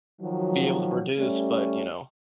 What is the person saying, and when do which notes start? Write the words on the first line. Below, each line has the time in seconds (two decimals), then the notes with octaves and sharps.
be able to produce, but, you know,
0.21 D#3 F3 F#3
1.19 G3 A3 C#4